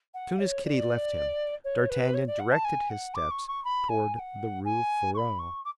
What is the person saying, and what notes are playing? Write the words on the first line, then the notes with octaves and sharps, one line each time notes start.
Soon as Kitty left him, d'Artagnan directed his steps toward the Rue Ferou.
F#5
C#5
D5
C#5
B4
C#5
D5
F#5
A5
G#5
F#5
D6
C#6
C#6
B5
G#5
G#5
F#5
G#5
C#6
B5
C#6
D6